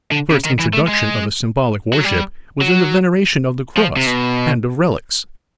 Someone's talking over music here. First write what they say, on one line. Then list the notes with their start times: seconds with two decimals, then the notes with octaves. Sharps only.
The first introduction of a symbolic worship was in the veneration of the cross, and of relics.
0.11 D3
0.31 C#3
0.45 D#3
0.60 E3
0.74 A3
0.88 G#3
1.93 F#3
2.04 G3
2.61 F#3
3.77 F3
3.96 C3
4.07 B2